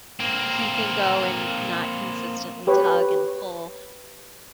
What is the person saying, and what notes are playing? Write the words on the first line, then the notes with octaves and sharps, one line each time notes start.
h he can go and not consistently tug and pull,
A#3 C4
G4 B4 C#5